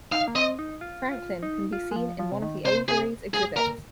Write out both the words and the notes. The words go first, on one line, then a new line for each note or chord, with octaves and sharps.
Franklin can be seen in one of the aviary's exhibits.
D#4 F5
A#3
C4 D#5
D#4
F4
F4
D#4
F4
G#3
F3
F3
C3
D#3
C3 C5
C3 G#4
G#2 G#4
A#2 A#4